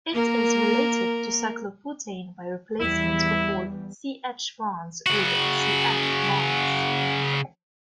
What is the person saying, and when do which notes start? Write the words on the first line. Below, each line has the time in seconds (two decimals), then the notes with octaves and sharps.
It is related to cyclobutane by replacement of all C-H bonds with C-F bonds.
0.13 A#3 A#4
2.79 E2 E3 G3 E4
5.07 C#3 F#4